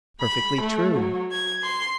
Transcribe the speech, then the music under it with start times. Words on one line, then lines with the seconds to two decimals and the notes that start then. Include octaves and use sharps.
"Perfectly true."
0.20 B5
0.60 A3
0.95 F#3
1.31 G#6
1.64 C6